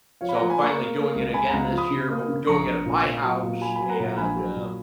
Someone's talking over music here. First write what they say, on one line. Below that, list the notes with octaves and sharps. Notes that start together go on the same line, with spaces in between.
So, I'm finally doing it again this year, but we're doing it at my house and, uh,
F3 C#5 F5
B5
F#5 A#5
F3
G#5 B5
A#3 A#5 C#6
A#3
A#3
C#2
C#2 G#5 B5
C#2 F#5 A#5
F3
B5 D#6
C#3
A#3
C#3
A#1 A#5 C#6
A#1
A#2
A#2
F#3
A#2
F#3 G#5 B5
F#3 G#5 B5
F#5 A#5
A#2 F#5 A#5
A#1 G#5 B5
F#3
A#2